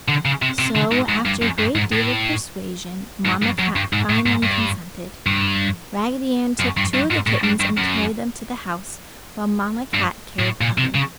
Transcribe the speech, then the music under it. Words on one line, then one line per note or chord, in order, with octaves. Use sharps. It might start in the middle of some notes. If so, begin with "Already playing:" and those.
So after a great deal of persuasion, Mamma Cat finally consented. Raggedy Ann took two of the kittens and carried them to the house while Mamma Cat carried the other.
D3
C#3
C3
C3
D3
G#2
G#2
G2
F#2
G2
G#2
A2
G#2
G2
F#2
G2
G#2
A2
G#2
G2
G2
F#2
G2
G2
G#2
A2
G2
G2
F#2
G2
A2
A#2
C3
C#3